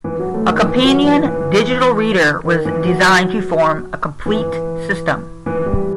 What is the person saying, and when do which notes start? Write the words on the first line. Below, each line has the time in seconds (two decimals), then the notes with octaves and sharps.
A companion digital reader was designed to form a complete system.
0.04 E3
0.19 F#3
0.34 A3
0.49 D#3
0.64 E3
0.85 F#3
1.04 E3
1.25 E3
2.45 D#3
2.65 E3
2.85 F#3
4.26 E3
5.46 E3
5.66 G3